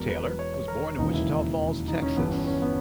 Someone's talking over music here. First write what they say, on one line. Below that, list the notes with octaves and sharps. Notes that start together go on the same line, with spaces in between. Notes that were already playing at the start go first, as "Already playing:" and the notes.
Taylor was born in Wichita Falls, Texas.
Already playing: E1 E2 B2 A#4
B4
B4
C#5
C#5
A#4
E1 D#2 C#3 E3 D#4
E4
D#4
C#4
G1 G2 E3 B3
C#4
C#4
B3